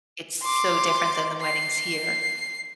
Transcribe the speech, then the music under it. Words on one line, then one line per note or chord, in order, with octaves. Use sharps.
it's so different than the weddings here.
C6 D6
C7